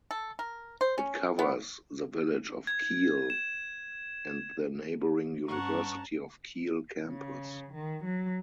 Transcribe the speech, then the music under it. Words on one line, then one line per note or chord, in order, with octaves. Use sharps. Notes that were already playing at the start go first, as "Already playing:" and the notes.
It covers the village of Keele and the neighbouring University of Keele campus.
A4
A#4
C5
C#4
B3
G#6
E7
G2 C#4 F#5 A5 A#5 C#6
C#3
D#3
F#3